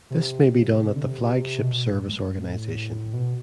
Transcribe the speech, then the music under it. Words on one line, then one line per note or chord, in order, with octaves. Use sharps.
This may be done at the Flag Ship Service Organization.
C3
C3
D3
C3
B2
A2
A2
G2
A2
B2